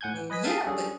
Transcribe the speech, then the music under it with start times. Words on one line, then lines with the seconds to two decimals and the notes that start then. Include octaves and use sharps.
Yeah, but
0.01 A2 F#5 G#5 G6 G#6
0.14 E3
0.30 B4 D#5 G#5 B6
0.44 G#4 A4 F5 G5 A5 D#6
0.66 G3 C#4 D4 G#4 A4